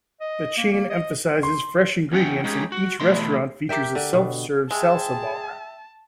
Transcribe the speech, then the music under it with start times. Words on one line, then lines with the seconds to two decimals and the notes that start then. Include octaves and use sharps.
The chain emphasizes fresh ingredients, and each restaurant features a self-serve salsa bar.
0.21 D#5
0.57 A#3
0.72 A#3
0.90 D#5
1.43 C6
2.12 E2 C#4 F#5 G5
2.44 G#3 C#4 D#4 G4 G#4
2.72 F#4
3.00 B2 E3 A3 C4 D#5 C6
3.69 G4 A#4 E5 G5
3.95 D3
4.13 B2
4.71 G#3 G#4 E5 G5 A5